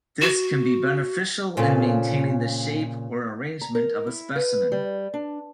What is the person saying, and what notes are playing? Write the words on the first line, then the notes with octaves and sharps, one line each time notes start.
This can be beneficial in maintaining the shape or arrangement of a specimen.
F#4
A#2 C#3 C4 F4 A4
A#5
A#4
E4
B4
G3
D4